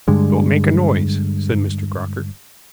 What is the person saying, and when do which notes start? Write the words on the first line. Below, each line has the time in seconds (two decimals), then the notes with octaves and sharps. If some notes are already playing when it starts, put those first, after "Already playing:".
"Don't make a noise," said Mr. Crocker.
0.08 G2 D3 G#3